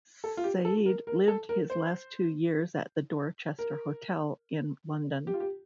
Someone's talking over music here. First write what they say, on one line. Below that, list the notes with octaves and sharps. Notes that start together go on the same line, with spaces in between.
Said lived his last two years at the Dorchester Hotel in London.
A4
F4
G4
A4
A#4
A#4
A4
A#4
C5
A#4
G4
F4
G4